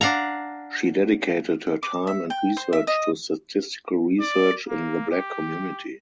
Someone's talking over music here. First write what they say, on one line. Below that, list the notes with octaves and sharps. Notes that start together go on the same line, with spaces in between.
She dedicated her time and research to statistical research in the black community.
D4 F5 F#5 A#5
D6
E5
G5
C5
E5
D#5
D5
A#3
G4